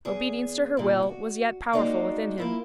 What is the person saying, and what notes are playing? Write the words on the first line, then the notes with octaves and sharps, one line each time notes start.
Obedience to her will was yet powerful within him.
E2 G#4
A#2 D3
F#4
G#3 A#3 D4 D#4 F#4
A#3 E4 F4